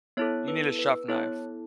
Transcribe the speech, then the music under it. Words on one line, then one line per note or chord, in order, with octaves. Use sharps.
You need a chef knife.
B3 E4 A4 C#5
B4
B4
B3 E4 A4 C#5